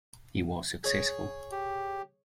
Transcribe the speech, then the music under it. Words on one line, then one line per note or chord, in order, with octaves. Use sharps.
He was successful.
G#4 C#5
G4